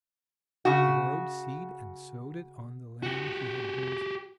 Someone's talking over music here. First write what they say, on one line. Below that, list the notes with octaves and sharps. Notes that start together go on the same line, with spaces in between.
He borrowed seed, and sowed it on the land he had bought.
C#3 F#4
F#4 G4